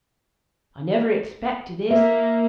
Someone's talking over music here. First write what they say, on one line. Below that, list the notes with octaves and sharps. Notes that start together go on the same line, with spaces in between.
I never expected this.
A#3 E5